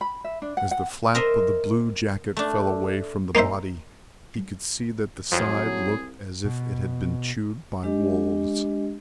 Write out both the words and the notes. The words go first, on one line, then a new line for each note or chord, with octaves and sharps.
As the flap of the blue jacket fell away from the body, he could see that the side looked as if it had been chewed by wolves.
B5
E5
D4
F#5
F#5
A#4 C5 D#5 E5
A3 D4
A#3 D#4 A#4 C5 E5
C2 F2 F3 F#3 G#4
B2
G#3 D4 G4 D#5